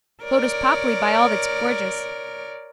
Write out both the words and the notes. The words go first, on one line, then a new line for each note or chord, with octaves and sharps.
Photo's papli, by all that's gorgeous.
A#4 C#5 D5